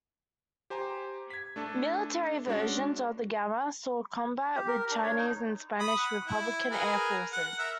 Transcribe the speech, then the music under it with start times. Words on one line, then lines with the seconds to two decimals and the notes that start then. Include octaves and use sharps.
Military versions of the Gamma saw combat with Chinese and Spanish Republican air forces.
0.70 G4 C5 G#5 A#5
1.30 G#6 B6
1.56 A3 D4 A4 D6
2.47 G#3 C#4 D4 F#4
4.56 G4
4.68 A#4
4.91 D4
5.03 C#5
5.18 D#4
5.80 B5 D#6
5.98 F#5
6.27 E4
6.71 G#4 A#4 B4
7.33 F#5
7.59 A#4 E5